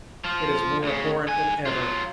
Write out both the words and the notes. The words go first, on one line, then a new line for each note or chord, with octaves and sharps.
It is more abhorrent than ever.
F3 F4
D2 C#3
G#2 G#5
F#3 F4